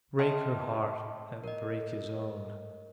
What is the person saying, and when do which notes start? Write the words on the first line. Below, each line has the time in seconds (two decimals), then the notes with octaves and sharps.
Break her heart and break his own.
0.19 D#5 E5 G5 A5 C6 F6
1.44 A#4 D#5